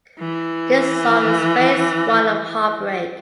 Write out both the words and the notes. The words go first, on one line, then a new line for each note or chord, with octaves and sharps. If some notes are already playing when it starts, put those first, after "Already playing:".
This song is phase one of heartbreak.
E3